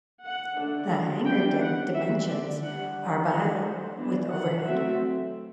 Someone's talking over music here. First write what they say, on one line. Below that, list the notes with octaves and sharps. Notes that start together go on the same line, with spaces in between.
The hangar deck dimensions are by - with overhead.
F#5
D3 A3 D4
E3 G3 B3 D4 G5
F#5
E3 G3 C4 E5
D5
G3 D4 F#5
D3 A3 D4 F#5
C5
E3 B3 D4
F#5
F#3 A3 C4 E5